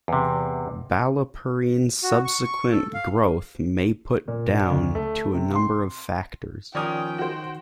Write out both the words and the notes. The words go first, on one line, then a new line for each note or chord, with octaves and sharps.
Ballyporeen's subsequent growth may put down to a number of factors.
E2 C3
F#4
C#6
C#6
A4
F5
A#2
D4
D2
A3
C3
C6
D#3 F3 C#4 A#4 D5 G5 G#5 D#6
F#4 C5